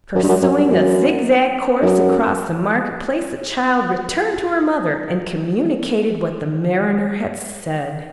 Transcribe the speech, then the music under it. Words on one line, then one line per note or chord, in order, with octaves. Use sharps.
Pursuing a zigzag course across the marketplace, the child returned to her mother, and communicated what the mariner had said.
F#2
G2
F#2
F#2
G2
F#2
F#2